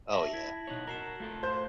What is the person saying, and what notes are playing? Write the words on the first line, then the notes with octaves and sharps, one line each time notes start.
Oh, yeah.
E5 A5 A#6 F#7
E4 G#6 B6
B2 D#4 C#5 F#6 F#7
F#4 A#4 A#5 C7 E7
A3 F4 A4
C5 G6